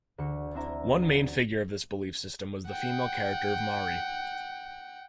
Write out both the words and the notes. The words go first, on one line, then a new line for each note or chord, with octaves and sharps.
One main figure of this belief system was the female character of Mari.
D2 F#4 C#6 C#7
C4 D4 E4 E5 A#5
F#3
F#5 G5